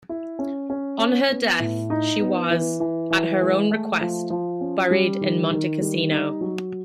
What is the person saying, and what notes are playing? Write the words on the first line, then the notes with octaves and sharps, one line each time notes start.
On her death, she was, at her own request, buried in Montecassino.
E4
C#4
C#4
C#4
B3
A2
D#4
B3
E3
E3
E3
G#3
A3
F3
F3
C#4
G3
D#3
D#3
G3
D#4
F#3